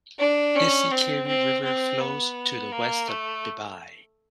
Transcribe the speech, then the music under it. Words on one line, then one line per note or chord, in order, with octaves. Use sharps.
Ishikari River flows to west of Bibai.
D4
C#4
C4
C4
C4
B3
A#3
A3